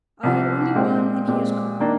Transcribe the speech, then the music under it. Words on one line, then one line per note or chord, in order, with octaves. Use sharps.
I had only one, and he has gone.
C2 C3 F3
A#2 G#3 C4 G4
A#2 G#3 C4 G4
D#3 A#3 D4